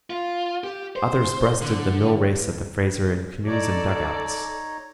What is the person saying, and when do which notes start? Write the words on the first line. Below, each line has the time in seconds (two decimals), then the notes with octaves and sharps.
Others breasted the mill-race of the Fraser in canoes and dugouts.
0.10 F4
0.64 G4
0.96 C5
1.62 D3
3.47 D#4 A4 C#5 D5 A#5